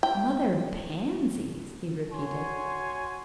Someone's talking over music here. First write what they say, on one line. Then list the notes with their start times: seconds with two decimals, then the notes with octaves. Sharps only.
"The Mother of Pansies!" he repeated.
0.03 G5
2.12 F#4 C#5 G#5 C6